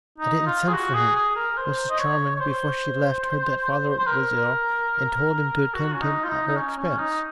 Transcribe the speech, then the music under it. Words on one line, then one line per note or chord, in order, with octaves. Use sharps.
"I didn't send for him Mrs. Charmond, before she left, heard that father was ill, and told him to attend him at her expense."
D#4
F4
G#4
F#4
G#4
G#4
A#4
C5
D#5
C#5
C#5
C5
C5
A#4
F#4
C#4
D#4
F4
D#4
D#4
C#4
C#4
D#4